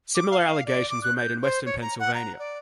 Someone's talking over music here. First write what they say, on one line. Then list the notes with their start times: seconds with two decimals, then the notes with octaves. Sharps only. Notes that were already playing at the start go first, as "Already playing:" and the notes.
Similar allegations were made in Western Pennsylvania.
0.15 D6
0.31 F5
0.66 D5
0.90 D6
1.03 F#6
1.17 G6
1.42 C5
1.66 C#5
1.81 A#5
2.00 F#5
2.14 A#5
2.39 D5